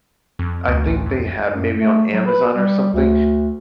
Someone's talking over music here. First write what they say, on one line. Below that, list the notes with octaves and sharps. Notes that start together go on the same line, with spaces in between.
I think they ha maybe on Amazon or something,
F2
D2
A1
F2
F#2
A3
F#3
B4
G3
D2